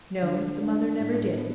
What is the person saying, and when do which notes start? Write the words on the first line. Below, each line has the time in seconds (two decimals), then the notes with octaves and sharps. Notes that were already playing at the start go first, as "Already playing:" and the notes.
No, the mother never did.
0.22 D3
0.61 D4
0.99 A2
1.38 B3